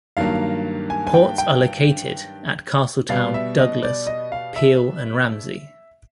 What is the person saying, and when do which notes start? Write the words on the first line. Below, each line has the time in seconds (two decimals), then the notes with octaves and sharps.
Ports are located at Castletown, Douglas, Peel and Ramsey.
0.17 G2 D#3 F#3 A#3 F5
0.90 G#5
1.07 G#5
1.14 G5
1.38 G5
3.09 B2 G3 B3 F5
3.34 E5
3.59 D#5
3.83 D5
4.07 D#5
4.32 F5
4.56 E5